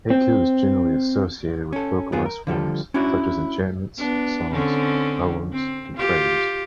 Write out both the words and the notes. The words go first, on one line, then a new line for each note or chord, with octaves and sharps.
Heku is generally associated with vocalized forms, such as enchantments, songs, poems and prayers.
C4
C#4 A4
F#2 B3 F4 G#4
A#4
D3 F3 G3 A4
C#4 D4 E4 F#4 C#5
B3 D4
D3 C4 C#4
C4
F4 G4